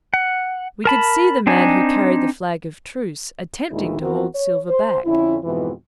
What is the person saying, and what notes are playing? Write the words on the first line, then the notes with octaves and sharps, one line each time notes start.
We could see the man who carried the flag of truce attempting to hold Silver back.
F#5
A#4 A5 B5
C4 D4 D#4 G#5
D2 A#2 D#3 G#3 D#4 E4
F2 E3 B3 C4 F#4 A#4
C#5
C5
F2 D3 C#4 E4
F2 G#2 B2 E3